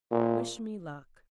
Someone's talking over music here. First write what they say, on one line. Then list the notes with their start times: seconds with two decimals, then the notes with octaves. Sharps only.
Wish me luck.'
0.11 A#2